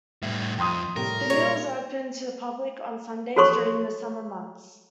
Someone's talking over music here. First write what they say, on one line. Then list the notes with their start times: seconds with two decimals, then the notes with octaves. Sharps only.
The mill is opened to the public on Sundays during the summer months.
0.23 A2 G3 E5
0.58 F2 G5 C6 D#6
0.96 A2 C3 G3 A#4
1.30 A#2 G3 G#3 C#5
3.36 F#4 A4 C#5 C6 C#6